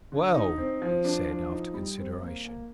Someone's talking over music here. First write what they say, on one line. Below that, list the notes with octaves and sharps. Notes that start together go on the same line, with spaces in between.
"Well!" he said, after consideration.
D3
D#4
C4
F3
D4
F3
D#4
G3
C4
A#3
A#3